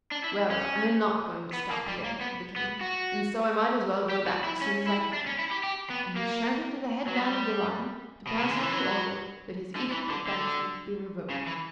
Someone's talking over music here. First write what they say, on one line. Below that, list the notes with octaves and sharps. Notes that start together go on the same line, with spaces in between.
"Well, I am not going to stop here," said the King, "and so I might as well go back as soon as I can." And he shouted to the head man of the line to pass on the order that his edict of banishment be revoked.
D4
E4
C#4
B3
A#3
G3
A#3
B3
B3
F#4
G4
F#4
E4
C#4
E4
D4
C#4
E4
G4
G4
B3
A#3
F#3
G3
B2
C#3
D3
E3
F#3
D3
E3
D3
D3
C#3
E3